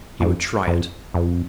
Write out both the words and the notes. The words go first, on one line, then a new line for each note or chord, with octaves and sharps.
He would try it.
F2
F2
F2